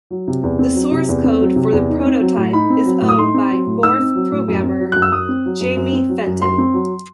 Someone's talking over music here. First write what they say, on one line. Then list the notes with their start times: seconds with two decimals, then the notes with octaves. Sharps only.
The source code for the prototype is owned by "Gorf" programmer Jamie Fenton.
0.10 F#3
0.27 C3
0.43 E2
0.59 C4
0.75 F#3
0.92 C3
1.08 E2
1.24 C4
1.41 F#3
1.56 C3
1.72 E2
1.89 D#4
2.04 C4
2.21 F#3
2.37 A2
2.53 D#4 B5
2.70 C4
2.86 F#3
3.01 A2
3.09 D#6
3.18 D#4 C6
3.34 C4
3.51 F#3
3.66 A2
3.83 D#4 E6
3.99 C4
4.15 F#3
4.32 A2
4.48 F#2
4.63 C4
4.80 F#3
4.92 F#2 F#6
5.02 E6
5.12 F#2 D#6
5.29 C4
5.45 F#3
5.61 F#2
5.77 F#2
5.93 C4
6.09 F#3
6.26 F#2
6.42 F#2 C6
6.58 C4
6.74 F#3